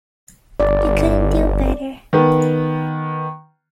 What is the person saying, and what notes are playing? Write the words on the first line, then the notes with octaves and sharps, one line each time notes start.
You couldn't do better.
G1 D5
D#3 B3